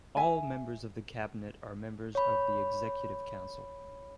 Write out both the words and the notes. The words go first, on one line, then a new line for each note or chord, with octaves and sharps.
All members of the Cabinet are members of the Executive Council.
E5 G#5
C#5 B5